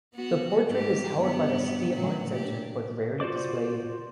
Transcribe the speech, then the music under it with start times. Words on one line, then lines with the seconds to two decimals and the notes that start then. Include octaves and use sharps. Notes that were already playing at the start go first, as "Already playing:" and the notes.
The portrait is held by the City Art Centre but rarely displayed.
0.15 B3 F#4
0.68 G#2 G4
1.18 G2 B3
1.92 A2 C#3 F#3
2.35 D4 G4
3.20 F4 F#4 C5 D5 D6